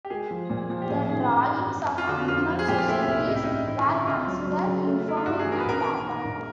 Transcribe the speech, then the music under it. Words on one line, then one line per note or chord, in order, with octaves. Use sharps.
The drawings of animal societies were considered "informing and attractive".
G4
G#3 G#4
F3
A#2
F3
G4
A1 G#4
D#3 G#4
A1
G2
F2
F2
F4
D3 F#4
F2 F4
F3
G#4
A#2 G4
F4
A3 E4
C2
A1 D#4
E4
G2 D#4
A1 E4
F4
D3 E4
C#2 F4
F#3
F#3
C#3
A3
A3 E4
F4
G2 F#4
G#4
E3
A#4
B4
A#1 A#4
D#3
D#3
A#1